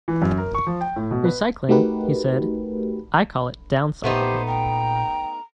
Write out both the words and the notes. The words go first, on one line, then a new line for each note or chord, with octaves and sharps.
"Recycling, he said, "I call it downcycling.
E3
F#2
A#4
C#6
F3
G5
A2
B2
B4
A3 D#4 F#4 G4 A#4 B4
A#2 A3 B3 D#4 G4 C5
G5 A#5